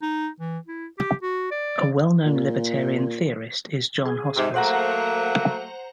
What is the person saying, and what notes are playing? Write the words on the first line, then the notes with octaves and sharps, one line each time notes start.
A well known Libertarian theorist is John Hospers.
D#4
E3
E4
G4
F#4
D5
A#2
G#4
G#2 C3
F#3 A3 A#3 C5 F#5 A#5